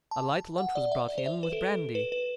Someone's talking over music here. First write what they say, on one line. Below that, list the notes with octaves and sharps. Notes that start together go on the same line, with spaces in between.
A light lunch was brought in, with brandy.
A5
F#5
D5
E5
D5
C5
E5
B4
A4
B4
B4